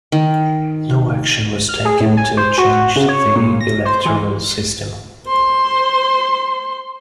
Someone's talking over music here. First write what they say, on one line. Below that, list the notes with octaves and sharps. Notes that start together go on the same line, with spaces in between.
No action was taken to change the electoral system.
D#3
F6
G#4
A2
G#5
C5
F#4
C#3
C#5
A#2
A#6
C5
E3
C5 C6